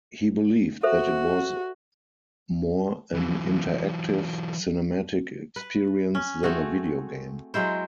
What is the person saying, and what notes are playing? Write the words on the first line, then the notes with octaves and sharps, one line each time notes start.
He believed that it was "more an interactive, cinematic experience than a video game".
F#4 A4 C5 E5
E3 F#3
B4
C#4
A3 C4 F#4 G#4
F#3 G#3 E4 C5